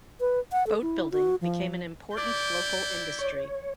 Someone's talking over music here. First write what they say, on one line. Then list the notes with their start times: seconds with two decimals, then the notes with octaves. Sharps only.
Boat building became an important local industry.
0.20 B4
0.52 F#5
0.67 A4
0.82 E4
1.12 F#4
1.41 F3
2.17 E4 D5 G6
3.19 C#5